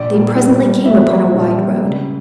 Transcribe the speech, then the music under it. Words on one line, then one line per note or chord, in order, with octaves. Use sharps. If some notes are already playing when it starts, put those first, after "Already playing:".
They presently came upon a wide road.
Already playing: A#1 D5
A#2 G3
A#1
A#2 G3
A#1 E5
A#2 G3
A#1
A#2 G3
C#2